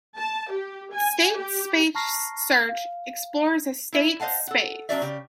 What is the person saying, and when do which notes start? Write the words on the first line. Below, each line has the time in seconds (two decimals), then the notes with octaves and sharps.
State space search explores a state space.
0.17 A5
0.51 G4
0.94 G#5
1.35 G4
1.95 A5 A#5 C#6 F6 A#6 C7
2.69 F5
3.93 E4 E5
4.20 C5 D#5 F5 F#5 A5
4.47 A4 F#5
4.89 F#3 C#4 D4 F#4 D5 E5
5.02 C#3 G4